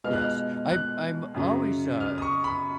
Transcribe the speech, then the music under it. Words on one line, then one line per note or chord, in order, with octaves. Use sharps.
Yes. I'm I'm always, uh,
B2 G#3 B3 F4 F6
F#6
F6
F#6
F#2 C#3 F#3
F6
D#6
C#6
B5